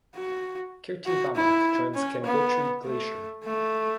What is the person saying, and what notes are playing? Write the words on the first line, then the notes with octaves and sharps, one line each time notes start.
Kirti Bamak joins Gangotri glacier.
F#4
F#4
E4
C#4
B3
A3
A3